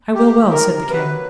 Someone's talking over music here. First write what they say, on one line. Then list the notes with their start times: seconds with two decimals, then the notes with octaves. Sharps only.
I will well, said the king.
0.14 A#3 G4
0.39 D#3
0.52 A#4
0.65 C3
0.89 F#3 B4
1.15 A#3